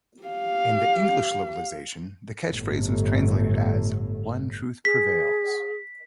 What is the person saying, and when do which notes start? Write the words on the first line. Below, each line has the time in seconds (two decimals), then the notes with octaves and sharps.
In the English localization, the catch phrase was translated as "One Truth Prevails".
0.23 G4 F5
2.52 G1 A2
4.85 G#4 B6